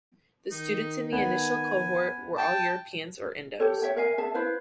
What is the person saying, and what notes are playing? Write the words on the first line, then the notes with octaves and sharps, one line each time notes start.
The students in the initial cohort were all Europeans or Indos.
D#3 D#4
B3 G#5
G5 A5
G4 A4 C#5
C#5 E5 G5
A#4 E5 F5 G#5
G#4 E5 A5
E4 B4 C5 F5